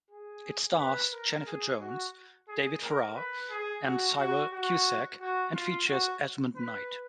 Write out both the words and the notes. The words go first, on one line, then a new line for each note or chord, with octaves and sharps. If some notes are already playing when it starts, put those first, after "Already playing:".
It stars Jennifer Jones, David Farrar and Cyril Cusack and features Esmond Knight.
G#4
B4
A#4
G#4
F#4
G#4
A#4
B4
G#4
F#4
F#4
F#4
F#4
F4
F#4
B4